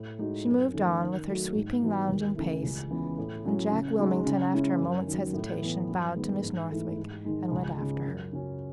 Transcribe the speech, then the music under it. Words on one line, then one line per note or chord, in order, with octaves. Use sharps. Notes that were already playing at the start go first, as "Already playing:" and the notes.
She moved on, with her sweeping, lounging pace, and Jack Wilmington, after a moment's hesitation, bowed to Miss Northwick and went after her.
Already playing: A2
G#3 D#4 F#4
F#2
D#3 A3 C#4
D#3
F#3 A3 D#4 F#4
G#2
E3 B3 D#4 F#4
D#2
C#3 E3 A3 E4
C#2
C#3 E3 B3
A2
F#3 C#4 E4
C#3
G#3 D#4 F#4
C#3
G#3 C#4 E4
F#2
D#3 F#3
A2
E3 B3
F#2
D#3 G#3 B3
G#2
E3 A3 E4
G#2
D#3 G#3 D#4
C#2
C#3 G#3
F#2
C#3 F#3 C#4